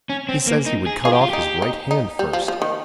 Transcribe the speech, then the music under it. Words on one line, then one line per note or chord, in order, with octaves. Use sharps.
"He says he would cut off his right hand first."
C#4
C4
A#3
D#4
G#4
F4 G#4
G4
F4
D#4 G4
D#4
D#4
G3
F3
F3
D#3